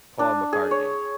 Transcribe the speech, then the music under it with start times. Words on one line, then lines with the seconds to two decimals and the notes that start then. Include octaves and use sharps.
Paul McCartney.
0.19 D4
0.53 G#4
0.71 C#5